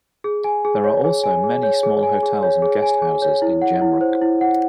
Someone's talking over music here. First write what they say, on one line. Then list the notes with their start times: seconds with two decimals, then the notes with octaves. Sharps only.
There are also many small hotels and guest houses in Jemruk.
0.24 G#4
0.44 G#5
0.65 G#4
0.84 C#5
1.04 G#4
1.24 G#5
1.44 G#4
1.63 C#5
1.83 G#4
2.03 G#5
2.23 G#4
2.43 C#5
2.62 G#4
2.83 G#5
3.02 G#4
3.22 C#5
3.42 E4
3.62 F#5
3.82 E4
4.01 C5
4.22 E4
4.41 F#5